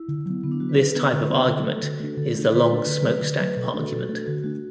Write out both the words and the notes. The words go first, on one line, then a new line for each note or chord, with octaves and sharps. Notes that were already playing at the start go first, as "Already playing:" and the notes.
This type of argument is the long smokestack argument.
Already playing: E4
D3
F#3 B3
D3 B3
D4
F#3 B3 F#4
B4
D3
B3 D4
D3
B3 D4
D3 A4
A3 D4
D3 F#4
A3 D4
D3 A4
A3 D4
D3 B4
A3 D4 A4
D3 B4
F#3 A3
D3
F#3 A3
B2 A4
A3 D4 F#4
B2 A4
A3 D4 A4
D3 F#4
A3 D4 F#4